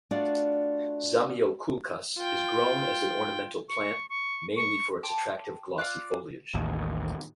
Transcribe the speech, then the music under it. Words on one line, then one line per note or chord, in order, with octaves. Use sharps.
"Zamioculcas" is grown as an ornamental plant, mainly for its attractive glossy foliage.
A3 D4 F4 F#4 D5
F4 G5
C#6
C#6
C#6
G5 A5 C6 D6
F4 D5 D6 F#6
A1 D#2